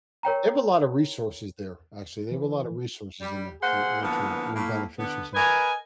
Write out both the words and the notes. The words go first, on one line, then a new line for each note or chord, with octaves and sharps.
They have a lotta resources there, actually, they have a lotta resources in there, where where true real beneficial stuff.
A#4 C#5 G5 A#5
E3
G3
A#3 G#4 C5 F#5
D3 E3 F3 A#3 B3
A2 A#3
D3 B3
A#4 B4 D#5 G#5